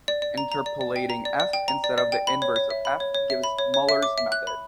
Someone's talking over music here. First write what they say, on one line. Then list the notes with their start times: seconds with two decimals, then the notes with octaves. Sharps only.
Interpolating "f" instead of the inverse of "f" gives Muller's method.
0.08 D5
0.22 D5
0.38 A#5
0.52 A#5
0.66 D5
0.81 D5
0.96 G5
1.10 A#5
1.25 D5
1.40 D5
1.53 G5
1.68 A#5
1.84 D5
1.98 D5
2.12 G5
2.27 B5
2.42 C#5
2.56 C#5
2.70 E5
2.85 B5
3.00 C#5
3.15 C#5
3.30 E5
3.44 B5
3.58 C#5
3.74 C#5
3.89 E5
4.03 D6
4.18 E5
4.32 F#6
4.47 B5